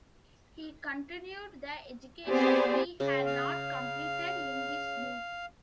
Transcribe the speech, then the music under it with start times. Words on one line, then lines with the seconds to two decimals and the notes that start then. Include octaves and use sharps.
He continued the education he had not completed in his youth.
2.28 B3 C4 G4 G#4 C5 D5
3.00 C#3
3.26 F5